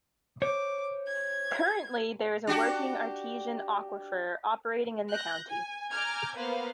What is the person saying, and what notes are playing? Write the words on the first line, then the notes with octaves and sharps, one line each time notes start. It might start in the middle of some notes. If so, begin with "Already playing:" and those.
Currently there is a working Artesian aquifer operating in the county.
C5 C#5 D6
G#6
D4 F#4 G4
F#6 G6 A#6
G#5
G#5 A#5 D6 F6 G6 G#6
A#3 B3 B4 C5 F5